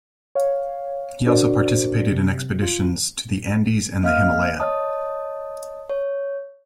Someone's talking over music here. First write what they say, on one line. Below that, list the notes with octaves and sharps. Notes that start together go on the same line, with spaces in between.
He also participated in expeditions to the Andes and the Himalaya.
C#5 F5
D4 F#4 A#4 C5 D5
C3
F4
A#3 D#5 F5 F6
C#5 D#5 A5 D#6
C#5